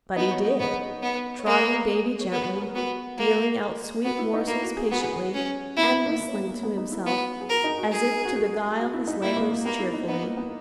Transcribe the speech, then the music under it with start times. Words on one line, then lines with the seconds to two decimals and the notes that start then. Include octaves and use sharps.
But he did, trotting baby gently, dealing out sweet morsels patiently, and whistling to himself, as if to beguile his labors cheerfully.
0.16 B3 D#4
0.31 C#5
0.45 D#5
0.60 B3
1.03 B3
1.39 C#5
1.46 A#3 B4
1.80 B4
1.89 A#4
2.21 C#5
2.32 B3 B4
2.47 C#5
2.55 G#4
2.61 A#4
2.75 B3 F#4
3.18 A#3
4.05 B3 F#4
4.19 E4
4.33 D#4
4.47 A#3 E4
4.62 F#4
4.77 G#4
4.91 B3 F#4
5.34 C#4
5.77 B3 E4
5.91 B3
6.06 A#3
6.20 A#3
6.28 C#4
6.34 B3
6.49 A#3
6.63 B3
6.78 D#4
6.92 E4
7.06 B3 F#4
7.40 G#4
7.49 F#4 A#4
7.64 D#4
7.78 F#4
7.92 G#4 A#4
8.25 F#4
8.36 G#4
8.79 F#4
8.94 E4
9.07 D#4
9.22 A#3 E4
9.37 A#3
9.51 A#3
9.65 A#3 B3
9.79 E4
9.94 D#4
10.08 B3 D#4
10.22 A#3
10.37 B3